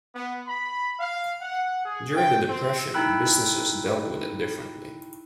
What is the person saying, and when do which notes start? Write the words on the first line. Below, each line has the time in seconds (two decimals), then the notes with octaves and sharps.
During the depression, businesses dealt with it differently.
0.15 B3
0.48 B5
1.00 F5
1.41 F#5
1.85 G#4
2.16 G5
2.48 C4
2.94 D#4 E4 G5 B5 E6 F#6